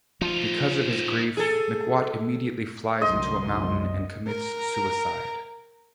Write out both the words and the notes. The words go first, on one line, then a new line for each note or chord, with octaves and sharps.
Because of his grief, McWatt immediately flies into a mountain and commits suicide.
F3 D#4 F4
G#4 A4
C2 F#2 D3 D#5 C6
A#4 A#5